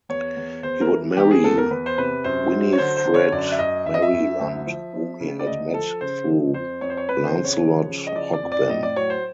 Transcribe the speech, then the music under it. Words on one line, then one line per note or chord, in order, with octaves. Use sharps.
He would marry Winifred Mary Lunt whom he had met through Lancelot Hogben.
E2 C#5
E2
E2 C5
A#4
E3
E2 G4
G#4
E2 A4
A#4
E2 B4
C5
C3 B4
F#2 C5
F#3
C#5
D3 C5
C5
D3
C#5
F#2 D5
E5
F#2 D#5
F#2 E5
D#5
E5
F#2
D2
F3
F3
C#3
D5
D2 D#5
F3 A4
C#3 C5
F3
F2 C5
F2 C#5
C5
C#5
F2 B4
C5
C#3
C#5
F3
C#3
D#5
F3 D5
D5
F2
D5
A2 D#5
D5
F#3 C#5
C5